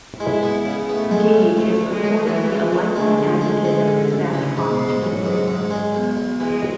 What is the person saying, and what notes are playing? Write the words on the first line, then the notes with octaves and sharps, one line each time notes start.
Gage is purportedly a lifelong advocate of the Spatchcock chicken cooking method.
G#3 E4
B3
C#3
A3 B3
G#3
C#3
D2 A3
D2
G#3
F#3
E3 F#3
C#3
D2
D3 G#3
A1
G#3
D3 G#3
A1
A1
C#3 E3
G#2
B2
G#2
A1 F#3
G#2
G#2
G#3
B1
B1
E3 G#3